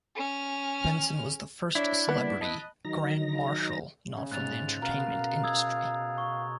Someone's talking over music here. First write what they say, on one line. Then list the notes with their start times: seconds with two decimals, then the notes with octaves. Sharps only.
Benson was the first celebrity Grand Marshal not from the entertainment industry.
0.15 C#4 F6
1.75 D4 E4 C#5 E5
2.09 G3 A#3 B3
2.41 D#5 A5 B5 F#6
2.85 D#3 F#3 D#4 A#5 A#6
4.17 C#3
4.31 G#2 F#6 A6 F7
4.82 B2 A#4 F5
5.44 D#6 E6 G#6
6.18 C#6